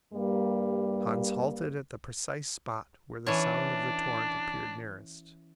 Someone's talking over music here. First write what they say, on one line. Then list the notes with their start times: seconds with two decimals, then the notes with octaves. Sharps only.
Hans halted at the precise spot where the sound of the torrent appeared nearest.
0.13 G2 G3 A#3
3.26 E3 C#4 D4 C#5